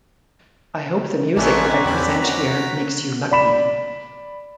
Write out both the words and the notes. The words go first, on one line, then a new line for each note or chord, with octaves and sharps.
I hope the music that I present here makes you lucky.
A#1 G#2 E3 G#3 A3 C4 C#4 D5
E2 C4 G4 D5 B5
F#4 A#5 B6
D5 B5 E7